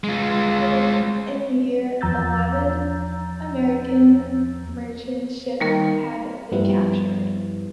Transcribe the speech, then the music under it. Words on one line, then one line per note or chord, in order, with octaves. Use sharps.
By late in the year eleven American merchant ships had been captured.
G#3 F4
E2 F3 A#5 E6 G6 A6
D#3 G3 A#3 A#4
G2 F3 G3 B3 E4